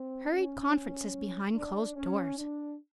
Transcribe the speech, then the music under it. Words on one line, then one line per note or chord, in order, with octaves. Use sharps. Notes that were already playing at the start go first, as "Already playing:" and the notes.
Hurried conferences behind closed doors!
Already playing: C4
C#4
D4
C#4
D4